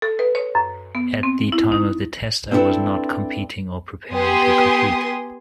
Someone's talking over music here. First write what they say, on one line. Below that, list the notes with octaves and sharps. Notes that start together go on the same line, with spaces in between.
At the time of the test, I was not competing or preparing to compete.
A4
B4
C#5
F#2
B3
C4
E4
D#4
C4 D4 E4 F4 A4 B4
B3 G4 G#4 G#5 C6 D#6